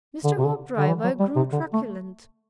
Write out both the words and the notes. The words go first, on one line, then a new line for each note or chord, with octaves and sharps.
Mr. Hoopdriver grew truculent.
D3
C3
D3
D3
E3
F#3
G3
C3
D3
A3